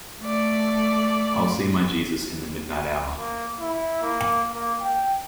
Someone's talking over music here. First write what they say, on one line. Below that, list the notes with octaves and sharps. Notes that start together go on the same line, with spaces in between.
I'll see my Jesus in the midnight hour.
A3 D5
A#3
E4
A#3
A#3
G5